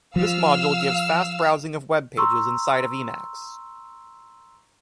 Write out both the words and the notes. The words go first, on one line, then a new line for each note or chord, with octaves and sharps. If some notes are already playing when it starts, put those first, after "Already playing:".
This module gives fast browsing of web pages inside of Emacs.
F3 F5 E6 F6
A#5 C6 C#6 E6